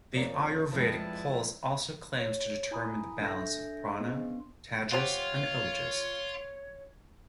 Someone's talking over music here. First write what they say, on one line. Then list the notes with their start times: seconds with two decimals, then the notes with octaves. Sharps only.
The ayurvedic pulse also claims to determine the balance of prana, tejas, and ojas.
0.13 F2 C#3 A#3 C5 D5 A#5
0.72 F2 F3 G3 G#3 E4 B4 A5
2.17 C#5
2.71 E4 G#5 A#5 B5 D#6
3.21 D4 A4 E5 G6 G#6 A#6
3.88 G#4 C5 D#5
4.00 B3 C#4 D4 C6
4.92 F4 G4 C5 C#5 F#5